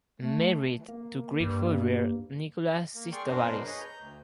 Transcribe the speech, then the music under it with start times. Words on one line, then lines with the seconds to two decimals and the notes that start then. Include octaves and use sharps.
Married to Greek furrier Nicholas Sistovaris.
0.20 A3
0.88 A#3
1.40 G2
2.95 A#3
3.12 G#4 D5 G5 C6 C#6 F6
3.27 F#2 B2 B3 D4 A#4 C5
3.65 G#4 B4 C#5 D#5
3.80 A#5 G6
3.99 D2